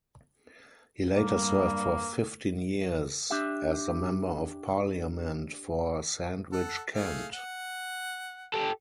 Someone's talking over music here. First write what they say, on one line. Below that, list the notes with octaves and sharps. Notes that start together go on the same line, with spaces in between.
He later served for fifteen years as the member of parliament for Sandwich, Kent.
G2 G3 A#3
D4 G4 E5
A4 F#5
A3 G#4 F5
F#5
G4 A4